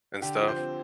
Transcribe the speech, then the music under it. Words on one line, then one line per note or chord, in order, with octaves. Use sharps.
and stuff,
D3 G4
F3
C5
C4